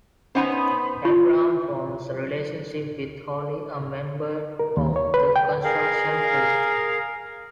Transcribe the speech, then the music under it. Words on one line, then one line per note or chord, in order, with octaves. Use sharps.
Abraham forms a relationship with Holly, a member of the construction crew.
B3 C#4 D#4 C5 F#5 B5
E4 F4 C#5 B5 C#6
A#4
D#2
C#5
B4
G5
G#4 A#4 F5